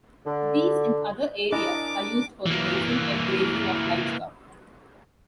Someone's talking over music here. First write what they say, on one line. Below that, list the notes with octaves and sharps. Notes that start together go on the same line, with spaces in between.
These and other areas are used for the raising and grazing of livestock.
D3
D4 E4 A#4 D#5 G#5 D6
E3 A#3